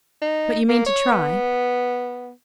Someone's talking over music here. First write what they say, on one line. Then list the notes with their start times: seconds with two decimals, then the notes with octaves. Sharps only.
"But you mean to try?"
0.22 D#4
0.69 A#3
0.86 C#5
1.12 B3